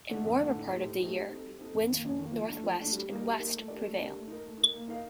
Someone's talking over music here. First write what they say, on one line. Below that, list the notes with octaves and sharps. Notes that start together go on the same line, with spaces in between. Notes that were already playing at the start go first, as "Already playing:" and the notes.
In warmer part of the year, winds from northwest and west prevail.
D3 A3 D4
F2
D3 A3 D4
A2
A3 D#4 G4 C5
A2
A3 D#4 G4 C5
G3
C4 D#4 A4
G3
C4 D#4 A4
F2
D#3 A#3
F2
D#3 A#3
F3
A3 D4
F3
A3 D4
G3
A#3 D#4 A#4
G3
A#3 D#4 A#4
A3
D4 G4 A#4 D5
A3
D4 G4 A#4 D5
A3
D#4 A#4
A3
D#4 A#4
A#3
D#4 A#4 F5